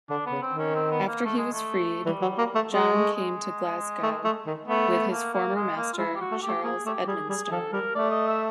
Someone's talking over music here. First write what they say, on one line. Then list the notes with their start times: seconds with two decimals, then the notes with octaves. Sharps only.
After he was freed, John came to Glasgow with his former master, Charles Edmonstone.
0.09 D3 D4
0.26 B3
0.31 C#3
0.42 C4
0.53 D#3
0.59 C#4
0.75 C4
0.91 B3
1.07 A#3
1.24 A3
1.38 G#3
1.53 A3
2.05 E3 G3
2.22 F#3
2.38 A#3
2.55 A3
2.72 G#3
2.93 A3
3.14 G#3
4.02 A3
4.24 A3
4.46 D#3
4.67 A3 B3
4.90 B3
5.11 A#3
5.33 A#3
5.55 G#3
5.77 A#3
5.93 F4
5.98 G#3 E4
6.15 G4
6.21 F#4
6.31 A3
6.42 A3 G4
6.63 A#3 G#4
6.86 A3 G4
7.07 G3 G#4
7.29 G3 G#4
7.44 G#4
7.51 F3 A4
7.73 G3 A#4
7.95 A3 D5
8.11 D#5
8.27 E5